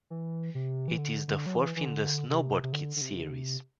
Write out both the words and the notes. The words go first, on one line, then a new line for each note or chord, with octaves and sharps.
It is the fourth in the "Snowboard Kids" series.
E3
C3
E3
D3
D3
F#3
E3
E3
D3
C3
C3
D3
D3
C3
D3
C3